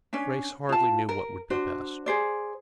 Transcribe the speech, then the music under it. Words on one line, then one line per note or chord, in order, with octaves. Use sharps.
Grace hardly knew what would be best.
C#4 D4
F4 A5
A#4
D4 F#4 C5
G#4 C5 D5